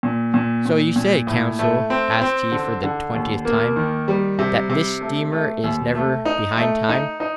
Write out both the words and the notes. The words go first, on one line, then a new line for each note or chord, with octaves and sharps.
"So you say, consul," asked he for the twentieth time, "that this steamer is never behind time?"
A#2
A#2
A#2
A#2
A2
A3
C4
C4
D3
D3
D#2
A#3
D#3
G3
C3
C3
A3
A3
D#2
A3
D#4
A3
D#4
D#4